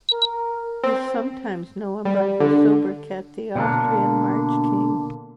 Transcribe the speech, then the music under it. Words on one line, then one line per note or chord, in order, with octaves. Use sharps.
He is sometimes known by the sobriquet "The Austrian March King".
A#4
C4
G3
D3
B2 D3 A#3 D4